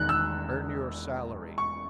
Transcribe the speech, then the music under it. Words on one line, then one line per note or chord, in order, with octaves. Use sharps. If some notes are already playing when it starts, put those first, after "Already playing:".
"Earn your salary!"...
Already playing: E1 E2 D#3 F#6
E6
C#6